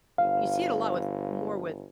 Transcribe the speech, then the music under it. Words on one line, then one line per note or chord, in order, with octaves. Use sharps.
y you see it a lot with more with
G1 F5